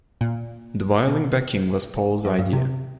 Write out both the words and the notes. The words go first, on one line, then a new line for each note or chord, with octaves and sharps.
The violin backing was Paul's idea.
A#2
B2
F#2
G2
C3